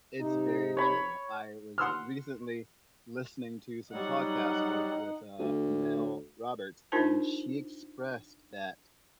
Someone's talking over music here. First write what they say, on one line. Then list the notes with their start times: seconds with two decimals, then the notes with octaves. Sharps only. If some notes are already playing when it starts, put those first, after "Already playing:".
It's very true. I was recently listening to some podcast work with, uh, Mel Roberts, and she expressed that
0.19 C3 D#4
0.77 C#5 B5
1.78 F#5 C6 E6 F6
3.93 F#3 G3 D#4 D#5 F#5
5.39 D2
6.92 D4 D#4 F4 A#4 C5 A5